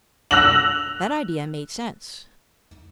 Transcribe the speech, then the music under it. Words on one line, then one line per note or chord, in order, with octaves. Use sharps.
That idea made sense.
E6 F#6 A#6 F7 F#7